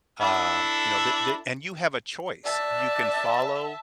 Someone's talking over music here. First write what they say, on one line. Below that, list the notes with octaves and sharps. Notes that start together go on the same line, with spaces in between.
um, you know, th there and you have a choice. You can follow,
D4 E4 A4
D5 E5 A5